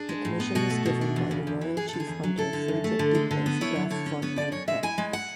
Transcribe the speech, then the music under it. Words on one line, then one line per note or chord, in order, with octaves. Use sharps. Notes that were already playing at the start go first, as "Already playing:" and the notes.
The commission was given by the royal chief hunter Friedrich Detlev Graf von Moltke.
Already playing: D4 G#4
G#3
A2
B3
B2 F#4
A3
B2
D4
E2
C#3
E2
E3
B3 G#4
D3 A4
G#4
E2
F#3
E4 A4
D3
F#2
A3
D3
G#3
D3
B3
E4 C#5
F#3
D3 C#5
C#4
B3 C#5
D3 D5
F#2 C#5
G#3 E5
E4 G#5
G#3
F#5